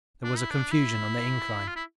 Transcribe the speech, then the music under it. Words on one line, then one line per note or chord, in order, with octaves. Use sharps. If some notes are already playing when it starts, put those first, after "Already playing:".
There was a confusion on the incline.
D4
E4
D4
E4
F4
E4